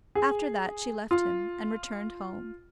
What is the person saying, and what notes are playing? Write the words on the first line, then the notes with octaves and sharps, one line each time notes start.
After that she left him, and returned home.
G#4
F4